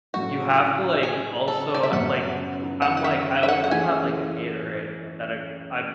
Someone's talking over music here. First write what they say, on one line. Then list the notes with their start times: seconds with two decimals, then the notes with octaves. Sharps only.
you have to, like, also, like, ooh I'm, like, I always have to have, like, a Gatorade, uh, that I I
0.14 A2 F#3 A3 C#4 F#4
1.03 G#4
1.48 A4
1.74 D5
1.83 E5
1.92 F#2 C#3 F#3 B3 F#5
2.82 F#5
2.97 F#5
3.04 E5
3.43 E5
3.48 F#5
3.64 F#5
3.71 E3 A3 C#4 G#4 G#5